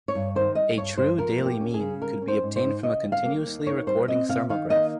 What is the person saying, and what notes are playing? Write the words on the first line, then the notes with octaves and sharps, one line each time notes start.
A true daily mean could be obtained from a continuously-recording thermograph.
C#5
G2
D#3 C5
G3 D#5
G2 C#5
G2 C5
F3 A#4
A#3
G4
C#4
G#4
C#3
G3 A#4
C#4
C5
G#2
C5
G#2
C#3 D#5
G3
F5
A#3
D#2
D#3 C#5
G3 C5
C4 D#5
C3 F5
D#3 F5
A#3 D#5